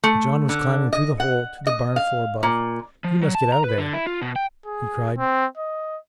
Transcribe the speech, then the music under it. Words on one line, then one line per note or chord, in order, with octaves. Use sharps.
But John was climbing through the hole to the barn floor above. "You must get out of there!" he cried.
A3
D3
D#5
F#5
D#5
F5
A#2
F3
F#3
A5
A#5
B4
D3
E4
F4
B2
G5
G#4
C4
D#5